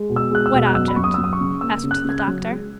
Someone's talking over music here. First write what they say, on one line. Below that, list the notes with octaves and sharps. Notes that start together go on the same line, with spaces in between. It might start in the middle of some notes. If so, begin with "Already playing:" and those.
'What object?' asked the doctor.
Already playing: G#3
B2
E6
G#3 F#6
E6
B2
F#6
F#2 E6
B5
F#2 C#6
D#6
F#2 E6
D#6
C#6
C#3
A#3 E6
C#3
F#6
C#3 G#6
F#6
F#3
G#3